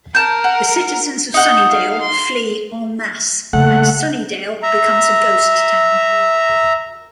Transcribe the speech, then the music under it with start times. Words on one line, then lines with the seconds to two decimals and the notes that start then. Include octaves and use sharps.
The citizens of Sunnydale flee en masse and Sunnydale becomes a ghost town.
0.15 A#4 A5 G6
0.44 F#5
1.34 D#4 F#5 G6
1.69 F5
2.01 C6
3.53 C#3 A3 A#3 F#5
4.62 E5 A#5